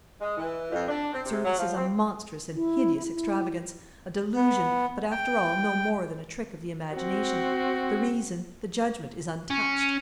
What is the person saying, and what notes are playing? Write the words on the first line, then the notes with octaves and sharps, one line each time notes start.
Sir, this is a monstrous and hideous extravagance, a delusion, but, after all, no more than a trick of the imagination; the reason, the judgment, is untouched.
G#3
E3
F2
D4
C4
C3
F#3
F3
C4
E4
E4
B3
G5
C4 F#4
C#4